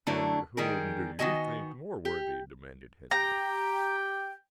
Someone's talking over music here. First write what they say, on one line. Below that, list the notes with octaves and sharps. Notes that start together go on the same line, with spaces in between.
"And whom do you think more worthy?" demanded Henry.
D3 F#3 A3 D4 E4
D#3 G3 G4 G#4 A#4
D#3 B3 C4 F#4 D#5 G#5
G4
G4 G5 A#5